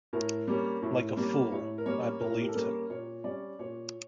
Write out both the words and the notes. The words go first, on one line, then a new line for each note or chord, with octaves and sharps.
Like a fool, I believed him.
A2 A#4
G3 A#3 C#4
A2
G3 A#3 C#4
A2 C#5
A#4
G3 A#3 C#4 C#5
A2 A#4
G4
A4
G3 A#3 C#4 A#4
A#2 C#5
G3 C#4 D5
A#2 C#5